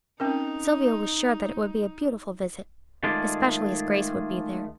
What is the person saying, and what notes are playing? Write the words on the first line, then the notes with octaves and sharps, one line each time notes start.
Sylvia was sure that it would be a beautiful visit, especially as Grace would be there.
C4 C#4 D#4 A#4
D#3 G#3 A3 F4 G#4 D5